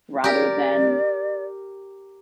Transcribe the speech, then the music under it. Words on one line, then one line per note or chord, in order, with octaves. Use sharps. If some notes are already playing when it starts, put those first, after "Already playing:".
rather than
G4 A#4 D5